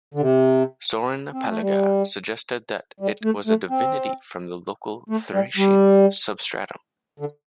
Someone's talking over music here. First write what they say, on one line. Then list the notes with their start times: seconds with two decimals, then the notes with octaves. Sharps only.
Sorin Paliga suggested that it was a divinity from the local Thracian substratum.
0.14 D3
0.21 C3
1.33 C4
1.47 A3
1.61 G3
3.00 G3
3.23 A3
3.47 A3
3.70 C4
5.09 A3
5.33 G3
5.57 G3
7.20 D3